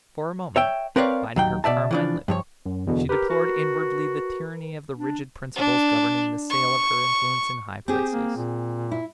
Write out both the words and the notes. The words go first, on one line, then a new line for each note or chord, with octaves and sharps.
For a moment, biting her carmine lip, she deplored inwardly the tyranny of the rigid principles governing the sale of her influence in high places.
C#5 E5 G5
C4 A#4 B4 C#5 D5 F5
D#2 F#3 G5
B2 D5 E5 A5
E3 F3 D4
G2 F3 C#5
F#2
E2 B2 D3
G4 A#4 B4
F#4
D4
D4
C#6
C4 G4 G#4
A#3
A#2
E4